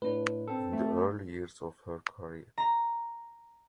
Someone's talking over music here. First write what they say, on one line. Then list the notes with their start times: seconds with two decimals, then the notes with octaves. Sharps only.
In the early years of her career.
0.02 A2 D4 B4
0.48 C4 A4
0.72 A3
2.58 A#5